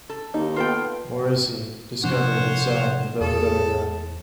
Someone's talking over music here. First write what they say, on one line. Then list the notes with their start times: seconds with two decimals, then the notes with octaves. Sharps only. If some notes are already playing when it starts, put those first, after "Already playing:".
Morrissey discovered and signed the Velvet Underground.
0.10 A4
0.34 D#2 D#4
0.56 B3 F4 A4 G5
2.04 C3 F3 D4 C5 C#5 F#5
3.21 E2 G#4 A4